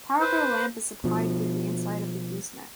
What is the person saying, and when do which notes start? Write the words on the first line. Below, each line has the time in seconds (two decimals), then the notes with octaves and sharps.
Power for the lamp is supplied through the inside of the gooseneck.
0.20 B4 C5
1.04 B2 F3